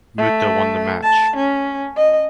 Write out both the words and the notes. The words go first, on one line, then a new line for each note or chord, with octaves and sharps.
Muta won the match.
A3
A5
C#4
D#5